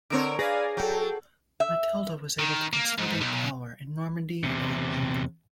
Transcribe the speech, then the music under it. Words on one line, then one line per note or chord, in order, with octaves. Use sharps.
Matilda was able to consolidate power in Normandy and Anjou.
D3 C4 A#4 C#5 E6 D7
G#4 B4 D5 F5 G#5 A#6
F#3 A4 G5
E5
D#3
A#3
G#2
B1
E2 C3